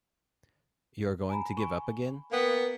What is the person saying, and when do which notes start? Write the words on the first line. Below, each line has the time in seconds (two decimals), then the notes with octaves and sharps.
You're going to give up again?
1.29 G#5 A#5 B5
1.57 G#5 B5 C#6
2.31 A#3 B3 F5 G5 C#7